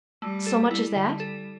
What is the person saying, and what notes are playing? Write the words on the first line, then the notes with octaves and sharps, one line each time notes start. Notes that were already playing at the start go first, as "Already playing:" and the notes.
"So much as that?"
G3 A3
A4
G3 E4
D3
A4